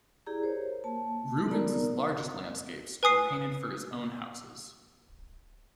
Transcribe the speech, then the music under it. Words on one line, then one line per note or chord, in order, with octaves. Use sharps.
Rubens' largest landscapes were painted for his own houses.
E4 G4 G#4 D5 A#5
A#4 C5 C#5
A#3 A5
B3 D#4 A#4 D5 A#5
B4 G#5 D#6 C7